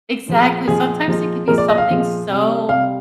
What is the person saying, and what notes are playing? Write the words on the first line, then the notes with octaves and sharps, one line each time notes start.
Exactly sometimes it could be something so,
A#2 F3 G#3
A#2 F3 G#3 G#4
A#2 F3 G#3
A#2 F3 G#3 A#4
D5
D#5
F5
A#2 F3 G#3
C3 G3
C3 G3 F5